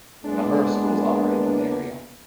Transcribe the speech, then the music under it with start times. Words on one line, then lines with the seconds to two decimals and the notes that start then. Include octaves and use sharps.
A number of schools operated in the area.
0.24 E2 G#3 A#3 B3 D4